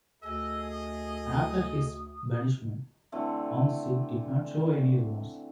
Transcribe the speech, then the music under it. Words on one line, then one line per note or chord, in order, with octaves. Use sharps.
After his banishment, Hongshi did not show any remorse.
D2 G#4 A4 D#5 E6
D#6
D3 E3 A3 C4